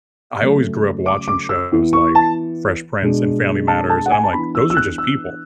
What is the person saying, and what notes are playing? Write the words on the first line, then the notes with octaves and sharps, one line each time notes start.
I always grew up watching shows like Fresh Prince and Family Matters, and I'm like, "Those are just people,"
C#3 F#3 A3 C#4
D6
D6
E6
E3 B3 E4
C#6
A5
B2 G#3 D4
A5
A5
F#5
G#5
A5
E3 B3 D4 B5
E6
E6
F#6
E6